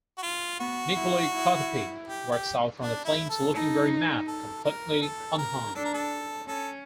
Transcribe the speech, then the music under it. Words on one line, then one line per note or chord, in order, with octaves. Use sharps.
Nicolae Carpathia walks out from the flames looking very mad, completely unharmed.
F#4
F4
B3 F#4
E4
E4
G4
G4
D4
E4
A4
D#4 A4
A4
A#4
A4
A#4
D4 A4
A#4
A4
C#4 A4